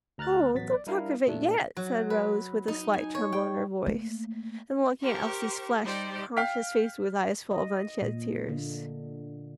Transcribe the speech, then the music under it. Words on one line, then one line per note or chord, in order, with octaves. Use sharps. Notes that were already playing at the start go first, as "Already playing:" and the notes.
"Oh, don't talk of it yet," said Rose, with a slight tremble in her voice, and looking at Elsie's flushed, conscious face with eyes full of unshed tears.
D2 A#5 F6 F#6 A6
A1 F#3 B3 A6 B6
D5
G3 D4 E4 A#4 F5
A#2 A3 D4
F#3
B4
D#4
G#5
C#5
G5
A3 A#3
G4 A#4 C5 C#6
G3 D#4 G4 C5 D5
F5 G5 F6 B6
D#5
A#2
D3